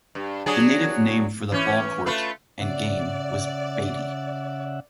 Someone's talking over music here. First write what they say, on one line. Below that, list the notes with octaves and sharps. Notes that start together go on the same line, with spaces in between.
The native name for the ball court and game was "batey".
G2
F#3 D4 G#4
E3 C#4
A3 F4 B4
C#3 D5 E5 F#5